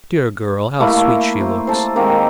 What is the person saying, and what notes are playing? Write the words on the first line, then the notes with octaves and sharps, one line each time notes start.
"Dear girl, how sweet she looks!"
A3 A#3 E4
C5
A4 C5
D#3 G#3 A#3 C4